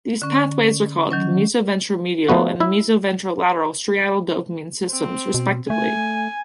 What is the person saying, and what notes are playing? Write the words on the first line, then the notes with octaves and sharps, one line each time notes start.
These pathways are called the meso-ventromedial and the meso-ventrolateral striatal dopamine systems, respectively.
D3 C#4
D#3 F#3 C#4
F3 A3 B3 F#4
E4 E5
C4
B2
A3 G#5